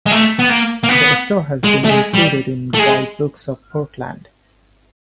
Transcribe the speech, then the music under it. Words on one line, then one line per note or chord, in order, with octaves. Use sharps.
The store has been included in guide books of Portland.
G#3
A3
B3
A#3
A#3
B3
G#3
A3
G#3
G3
A3
G#3